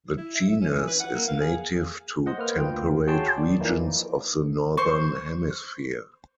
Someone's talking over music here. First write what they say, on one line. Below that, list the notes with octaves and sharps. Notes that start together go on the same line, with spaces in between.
The genus is native to temperate regions of the Northern Hemisphere.
E4
E5
E5
C#4
E3
B4
F#5
A#3
F5
G#4
C5 D#5 F#5
A#3 B4 F6
D2 F4 G5
F#4 G#4 C#5 G5 A5 C6
D5
E3 F3 A#3 D#4 E4
C5 C#6